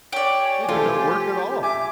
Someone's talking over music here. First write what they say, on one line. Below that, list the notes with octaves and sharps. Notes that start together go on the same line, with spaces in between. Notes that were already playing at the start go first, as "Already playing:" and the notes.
They do no work at all.
G4 C#5 D5
G#5
F3 A3 F4 G4 A4
E5 G#5 D6